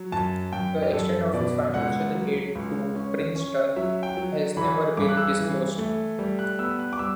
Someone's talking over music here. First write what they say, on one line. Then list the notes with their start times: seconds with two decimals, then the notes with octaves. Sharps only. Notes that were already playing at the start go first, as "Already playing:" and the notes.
The extent of his financial aid to Princeton has never been disclosed.
Already playing: F#3
0.12 F#2 A5
0.53 F#2 G5
0.82 G4
0.93 F#2 A4
1.34 B2 D5
1.74 C#2 F#5
2.14 F#3
2.55 C#2
2.95 C#4
3.35 C#4
3.76 F#3 E5
4.03 G5
4.17 F#3
4.57 E3 B5
4.97 G2 D6
5.09 F#6
5.17 E6
5.38 E3
5.78 A3
6.19 G3
6.39 F#6
6.59 B3 E6
6.79 F#6
6.93 D6
6.99 G3 E6